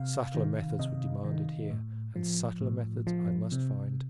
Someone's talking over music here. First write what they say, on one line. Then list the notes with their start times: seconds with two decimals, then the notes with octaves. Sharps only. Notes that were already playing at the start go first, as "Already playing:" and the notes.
Subtler methods were demanded here and subtler methods I must find.
Already playing: C3 F5
0.35 D#3
0.79 C3 D#5
1.24 D#3
1.71 A2
2.16 F3
2.61 A2
3.07 F3
3.52 C3